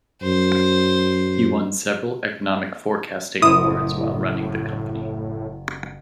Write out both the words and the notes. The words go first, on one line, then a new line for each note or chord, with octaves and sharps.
He won several economic forecasting awards while running the company.
F#2 C5
F#1 A2 E4 C6 D#6 E7